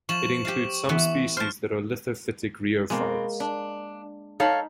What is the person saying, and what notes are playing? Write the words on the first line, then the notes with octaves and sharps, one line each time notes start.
It includes some species that are lithophytic rheophytes.
F3 C#6 E7 F#7
G4 F5
E3 B3
C5 A5 F6
B2 G#3 A#3 C4
D4
D#4 A4 C#5 F5 B5